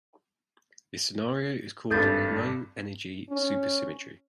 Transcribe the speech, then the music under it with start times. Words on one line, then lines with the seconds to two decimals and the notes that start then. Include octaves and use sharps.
This scenario is called "low energy supersymmetry".
1.90 G#1 G2 A4 G6 A6
3.30 C#4